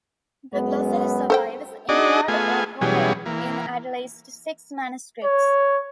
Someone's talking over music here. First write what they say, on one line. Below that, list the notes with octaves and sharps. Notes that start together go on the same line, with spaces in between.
The glossary survives, in part or whole, in at least six manuscripts.
F#2 G#3 B3
A4 C5 G5
D4 D#4 F#4 G#4 D5 D#5
A3 B3 F4 G#4 G#5
B2 E3 F#3 G3 C#4 G#4
E3 A#3
C#5